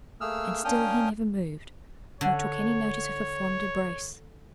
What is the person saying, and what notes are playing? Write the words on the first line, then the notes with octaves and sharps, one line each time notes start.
And still he never moved, nor took any notice of her fond embrace.
A3 A#3 G#4 E6 F6
A#3 C#4 D4 G5 D#6 F6
D3 C#5